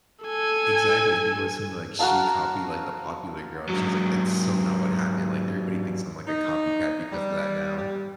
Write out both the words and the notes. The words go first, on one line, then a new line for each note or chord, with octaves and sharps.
copied exactly, and people assume that, like, she copied, like, the popular girl. And she was like, "That's so not what happened. Like, everybody thinks I'm, like, a copycat because of that now."
A4 G#5
F#4 A#4 F5 A5
G#2 F#3
D#4
G3
G3